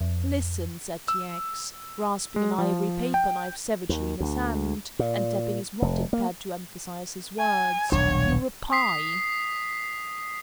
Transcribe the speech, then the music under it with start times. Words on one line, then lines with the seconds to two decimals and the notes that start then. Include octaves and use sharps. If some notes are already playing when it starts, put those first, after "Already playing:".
"Listen," said T. X., grasping an ivory paperknife savagely in his hand and tapping his blotting-pad to emphasize his words, "you're a pie!"
0.01 F2
1.08 E6
2.36 G#3
2.58 F3
3.14 G5
3.89 D#2
4.20 D2
4.99 A#2
5.82 F1
6.13 A#3
7.39 G#5
7.92 D#1 B1 D4 C#5
8.72 D#6 B6 C7